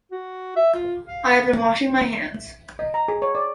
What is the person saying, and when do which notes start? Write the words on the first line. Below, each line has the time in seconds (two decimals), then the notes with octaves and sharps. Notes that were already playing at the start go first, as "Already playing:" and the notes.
I have been washing my hands.
0.11 F#4
0.56 E5
0.74 F4
1.07 F5
2.79 D#5
2.94 A#5
3.08 G#4
3.22 C#5
3.35 D5